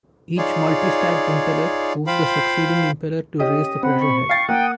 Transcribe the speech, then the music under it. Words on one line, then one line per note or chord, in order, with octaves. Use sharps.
Each multi stacked impeller boosts the succeeding impeller to raise the pressure head.
D#4 F4 G#4 C#5 D5
F4 C5 F5 G5 B5
C#4 G4 D#5 D#6
C4 F#5 B5
C#6
F5 G5 A6 C7
A#3 F#5 G5 D#6